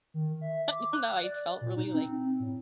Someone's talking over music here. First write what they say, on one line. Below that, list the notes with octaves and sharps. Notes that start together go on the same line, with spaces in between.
I don't know, I felt really, like
D#3
E5
D6
F#6
D5
A#2
D#4
C4
A2